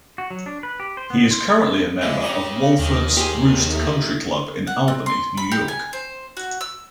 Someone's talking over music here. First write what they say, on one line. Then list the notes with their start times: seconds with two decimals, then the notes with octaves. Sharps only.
He is currently a member of Wolferts Roost Country Club in Albany, New York.
0.18 F#4
0.31 F#3
0.46 D4
0.63 B4
0.80 G4
0.97 C5
1.10 B3
1.31 C6
2.01 D3 F3 G#3 E4
2.20 C#3 C#4 G4 A#5
2.79 D#2 D#3
3.17 G4 G#4 C5
3.73 A3
4.67 F#5
4.88 C4
5.06 C6
5.37 B5
5.52 G4
5.68 G#5
5.93 C5
6.37 F#4
6.61 E6